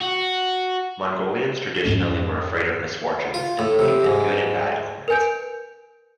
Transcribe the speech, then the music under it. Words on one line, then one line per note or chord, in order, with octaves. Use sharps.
Mongolians traditionally were afraid of misfortunes and believe in good and bad omens.
F#4
F2 G#2 C#4
F4
A2
C3
G#2
A#4 B4 G#5 G6 D7